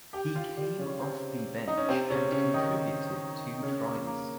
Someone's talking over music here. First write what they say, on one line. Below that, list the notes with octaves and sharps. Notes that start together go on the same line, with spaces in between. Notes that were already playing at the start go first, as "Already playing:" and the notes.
He came off the bench and contributed two tries.
G4 G5
F4 F5
G3 G4
C#3 C#4
C3 C4
D#4
C#4
C3 C4
C#3 C#4
C#3 C#4
D#3 D#4
C#3 C#4
A#3
A#3